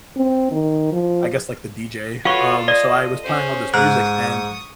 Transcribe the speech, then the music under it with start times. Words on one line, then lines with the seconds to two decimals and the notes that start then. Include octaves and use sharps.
I guess like the DJ, um, so I was playing all this music and
0.17 C4
0.52 D#3
0.92 F3
2.25 F4 F#4 A4 B4 C#5 F5 C#6
2.68 D5 D#5
3.24 C#4 C5
3.74 G#2 C#6 D#6 F#6